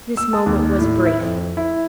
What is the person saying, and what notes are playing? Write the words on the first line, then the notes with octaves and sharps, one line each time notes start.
This moment was brief.
E6
A5
D#2
A2
E4
F2
E4